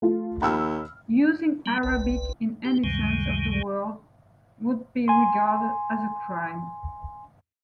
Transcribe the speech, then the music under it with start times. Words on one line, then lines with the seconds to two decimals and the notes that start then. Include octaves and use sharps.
Using Arabic in any sense of the word would be regarded as a crime.
0.02 A3 F4
0.42 D#2 B5 E6 F6
1.66 G3 B3
1.83 G1 C2 B4
2.65 G4
2.84 C#2 F#2 C3 D#3 G3 G#3
5.08 G#5 C6